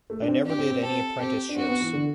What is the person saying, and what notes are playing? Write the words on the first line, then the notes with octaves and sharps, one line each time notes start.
I never did any apprenticeships.
A3
D4
C4
D4 G4
C4
C4
C4 A4
C4 G4
D4
C4 F#4
B3
E3
D3